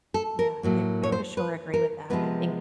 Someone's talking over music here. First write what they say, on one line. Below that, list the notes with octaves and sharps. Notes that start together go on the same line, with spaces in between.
Yeah. I I for sure agree with that. I think
A4
A#4
A2 F#3 A#3
C#5
C5
B4
A#4
C3 F3 G#3 B3 B4